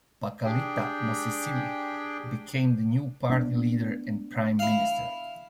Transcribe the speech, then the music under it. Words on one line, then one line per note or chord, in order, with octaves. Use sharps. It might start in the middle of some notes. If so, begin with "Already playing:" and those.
Pakalitha Mosisili became the new party leader and prime minister.
D4 G4 G#4 G5
B3 D4
E4 F5